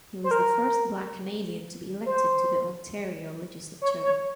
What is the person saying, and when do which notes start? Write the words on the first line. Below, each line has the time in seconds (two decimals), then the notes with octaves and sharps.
He was the first Black Canadian to be elected to the Ontario Legislature.
0.24 C5
0.31 A#4
2.06 C5
3.82 C#5
4.03 C#5